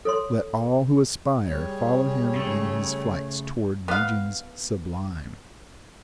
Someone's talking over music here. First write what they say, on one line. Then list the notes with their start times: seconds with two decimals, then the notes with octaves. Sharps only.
"Let all who aspire follow him in his flights toward regions sublime."
0.05 A4 C#5 C6
1.47 G3 G#4 C#5
2.34 C#3 A3
3.88 B3 F5